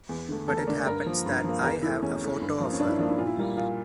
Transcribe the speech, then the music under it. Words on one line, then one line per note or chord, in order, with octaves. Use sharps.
But it happens that I have a photo of her.
E2
D3 A3
E2 A4
A#4
D3 A3 D5
D5
G2 A#4
F3 A#3
G2
F3 A#3
E2 A#4
E3 A3 E4
E2 C#4
E3 A3
G2
F3 A#3
C#4
G2 D4
E4
F3 A#3 D4
E4
A#2 F4
E4
G3 A#3
A#2 F4